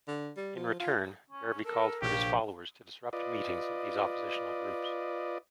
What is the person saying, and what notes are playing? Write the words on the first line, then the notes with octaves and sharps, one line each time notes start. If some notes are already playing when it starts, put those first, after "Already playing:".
In return, Garvey called for his followers to disrupt meetings of these oppositional groups.
D3
G3
F3
F4
C#4
A4 A#4
A#1 G4 C#5
F4 B4 D5 D#5